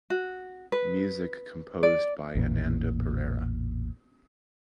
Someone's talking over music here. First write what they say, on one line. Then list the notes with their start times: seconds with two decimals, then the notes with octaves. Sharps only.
Music composed by Ananda Perera.
0.10 F#4
0.72 B4
1.83 D5
2.35 A1 E2 A#2